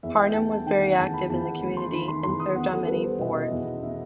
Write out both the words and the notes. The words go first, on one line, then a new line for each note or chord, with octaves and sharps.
Harnum was very active in the community and served on many boards.
E2 E5
G5
A3 A5
A5
D#3 G5
F#5
E2 A5
B5
E2 A5
F#5
A3 B5
C6
D#3 B5
C6
E2 C6
D#6
B3 F#5
A4
G3 B4
C5
B2 D#5
E5
D#5
E2
B3 E5